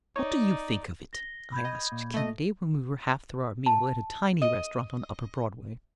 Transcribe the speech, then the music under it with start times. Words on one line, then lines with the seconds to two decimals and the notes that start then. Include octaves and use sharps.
"What do you think of it?" I asked Kennedy, when we were half through our meal at a tiny restaurant on upper Broadway.
0.16 D#4 C#5 D5
1.13 A#6 G7
1.52 B5 G6 G#6
1.65 D#5
1.92 A#2
2.14 A3 D#5
3.66 A5
4.42 D#5